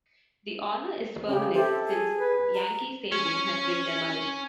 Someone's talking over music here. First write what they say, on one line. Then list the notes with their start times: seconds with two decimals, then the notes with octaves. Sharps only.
The honor is permanent since Yankee Stadium has been demolished.
1.29 C#3 C#4 G4 G5
1.55 G4 A4 C5 E5
1.87 G#4
2.19 B4
2.55 A#5
3.12 C#4 C#5